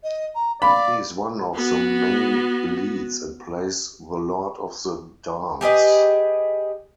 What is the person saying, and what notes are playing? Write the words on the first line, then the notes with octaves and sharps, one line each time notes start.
He is one of the male leads and plays the Lord of the Dance.
D#5
A#5
D5 F5 B5
B3 F#4
G4 G#4 B4 D#5